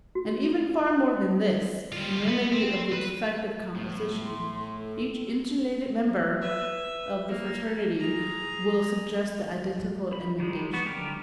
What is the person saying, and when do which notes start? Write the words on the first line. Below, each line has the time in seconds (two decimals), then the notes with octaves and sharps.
And even far more than this, in remedy of the defective composition, each insulated member of the fraternity will suggest the identical emendation.
0.15 F#4
1.92 G3 F4
2.27 B3
2.53 C4
2.93 B4
3.76 A2 B3
4.25 C6
4.76 A4
6.41 B4 E5
7.28 A#3
8.00 G#4 A#5
10.13 B5
10.40 D#3 G3 G#3
10.73 B3 F#4
10.86 D3 G3 G4 A#4